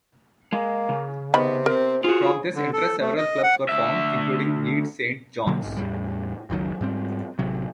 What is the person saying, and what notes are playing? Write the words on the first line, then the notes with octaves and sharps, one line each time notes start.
From this interest several clubs were formed, including Leeds Saint John's.
G#3 A#3
C#3
C3 D#3 B3 B5
C4 A#4
F4 F#4 G#4
D3
A4
A3
D#5
F#5
D2 E5
B2 D3 F#3 A#3
B1 G#2
E2 A2 G3
F#1 C#2 D#3 F#3
G#2 G3 C4
A1 C3 F#3